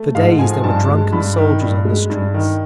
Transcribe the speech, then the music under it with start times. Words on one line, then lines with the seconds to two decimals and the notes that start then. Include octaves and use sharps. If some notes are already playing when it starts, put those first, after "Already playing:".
For days there were drunken soldiers on the streets....
Already playing: A3
0.15 G#2 F5
0.39 F3 G#5
0.63 G2 A5
0.89 G#3
1.12 G2 B5
1.37 D#3
1.61 G2
1.85 G#3
2.10 G2
2.34 D#3